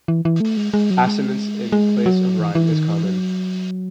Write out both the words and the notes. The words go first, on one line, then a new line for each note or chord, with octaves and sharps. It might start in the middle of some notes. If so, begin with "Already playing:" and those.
Assonance in place of rhyme is common.
E3
E3
A3
G#3
G#3
F#3
G#3
G#3
F#3
E3
E3
D#3
E3
F#3